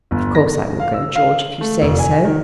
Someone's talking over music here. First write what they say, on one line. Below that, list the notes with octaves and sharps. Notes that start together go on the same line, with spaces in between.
Of course I will go, George, if you say so.
G1
A#6
F5
E6
F5
F#7
A3
F1
G#5
D#3